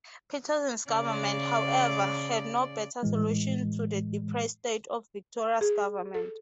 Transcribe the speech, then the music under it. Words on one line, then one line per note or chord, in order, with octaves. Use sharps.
Patterson's government, however, had no better solutions to the depressed state of Victoria's government.
C#3 D5
A2 E3 G#3
G#4
A4